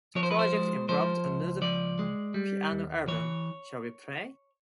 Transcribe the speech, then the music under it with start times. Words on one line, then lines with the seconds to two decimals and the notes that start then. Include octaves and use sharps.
The project involved another piano album, Shall we Play?
0.15 F3 C#5
0.23 C5
0.31 B4
0.39 C5
0.53 G#3
0.89 F3 C5
1.25 C#2
1.62 F3 D5
1.99 G#3
2.34 G3
2.71 D#2
3.08 E3 C#5